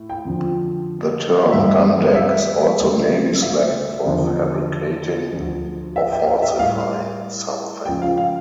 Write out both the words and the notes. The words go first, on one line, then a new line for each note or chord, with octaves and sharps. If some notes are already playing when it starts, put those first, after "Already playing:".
The term "gun deck" is also navy slang for fabricating or falsifying something.
Already playing: A2
G5
F2 D3 F3
G2 E3 G3 E5
E5
C#2 C#3 G3
E5
E2 D3 F3
D2 D3 F3
E5
G5
F5
E5
A2 G3 F5
C#2 C#3 F3 G5
F5
F5